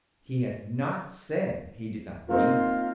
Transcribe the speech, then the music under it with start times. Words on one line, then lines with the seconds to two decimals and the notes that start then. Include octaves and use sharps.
He had not said he did not mean them.
2.29 A#3 C4 D#4 F4